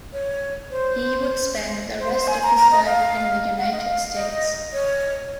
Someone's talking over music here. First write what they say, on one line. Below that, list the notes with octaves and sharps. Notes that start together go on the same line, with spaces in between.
He would spend the rest of his life in the United States.
C#5
C5
C5
C5
G#5
A#5
A#5
D#5
F5
F#5
F5
D#5
F5
D#5
C#5